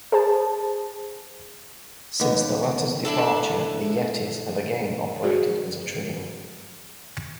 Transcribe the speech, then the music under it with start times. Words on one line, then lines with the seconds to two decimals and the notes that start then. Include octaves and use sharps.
Since the latter's departure, The Yetties have again operated as a trio.
0.12 G#4 C5 A5
2.20 D#2 B3
3.05 D4 E4 A4
5.23 F#4 G#4 D5